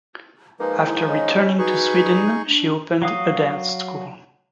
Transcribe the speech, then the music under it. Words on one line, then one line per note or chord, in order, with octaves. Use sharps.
After returning to Sweden, she opened a dance school.
F3 G#3 A#3 D#4 B4
E4
C#4 D#5
D#4 F#4 G#4 B4 C#6
D4
F#3 F5 D#6